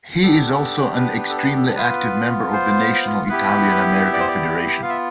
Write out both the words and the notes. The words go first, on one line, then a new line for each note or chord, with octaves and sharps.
He is also an extremely active member of the National Italian American Federation.
B3 D4 G4 A4
B4
B4
A4
B4
A4
B3 F4 B4
C5
B3 E4 G4 B4
E5
D5
C5
D5
B3 F4 F5
E5